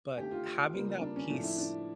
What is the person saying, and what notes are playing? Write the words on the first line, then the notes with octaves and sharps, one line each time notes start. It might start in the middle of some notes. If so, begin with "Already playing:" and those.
but having that piece
D3 A3 G4
F4
C#3 G3 A#3
D4
C#4
A2 F3 A3 D4
E4
D4